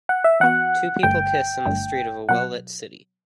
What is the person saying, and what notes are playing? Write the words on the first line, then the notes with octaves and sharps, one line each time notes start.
Two people kiss in the street of a welllit city.
F#5
E5
E3 B3 F#4 F#5
G1 G2 D3 A3 G5
G1 G2 D3 A3
B2 F#3 F#5